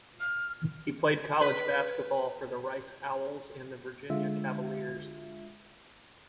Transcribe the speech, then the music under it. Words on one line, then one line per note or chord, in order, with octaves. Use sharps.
He played college basketball for the Rice Owls and the Virginia Cavaliers.
F6
B4
D3 G#3 F4 E5